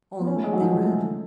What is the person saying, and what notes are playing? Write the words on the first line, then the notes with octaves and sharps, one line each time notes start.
On they ran.
B3
C#4
A3
G#3
F#3
F3
G#3
A3